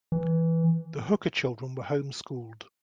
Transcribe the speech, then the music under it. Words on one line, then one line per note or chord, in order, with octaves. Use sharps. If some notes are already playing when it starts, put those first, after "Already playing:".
The Hooker children were home-schooled.
E3